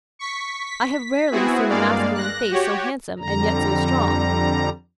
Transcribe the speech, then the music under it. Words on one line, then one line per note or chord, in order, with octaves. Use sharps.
I have rarely seen a masculine face so handsome and yet so strong.
C#6 B6
B6
B3 C4 E4 F#4 G#4
G2 G#3 A#3 D5 F5
F#6 A#6
F#4 G4 C#5
F2 D3 G3 A#5